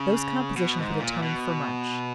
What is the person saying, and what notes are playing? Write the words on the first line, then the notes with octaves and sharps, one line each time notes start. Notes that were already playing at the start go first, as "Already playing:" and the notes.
Those compositions would atone for much.
Already playing: C#3
B2
G#2
A#2
B2